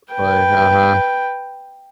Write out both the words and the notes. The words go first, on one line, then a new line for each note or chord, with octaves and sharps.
Like, uh-huh.
B4 G5